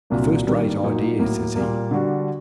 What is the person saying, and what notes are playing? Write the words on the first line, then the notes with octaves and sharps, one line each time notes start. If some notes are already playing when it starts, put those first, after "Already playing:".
'A first-rate idea,' says he.
C2 A#2 F#3 A#3 D4
D#3 G3 A#3 D4
A#2 F#3 A#3 D#4
A2 F#3 A#3
A#2 G3 A#3
D3 G3 D4 F#4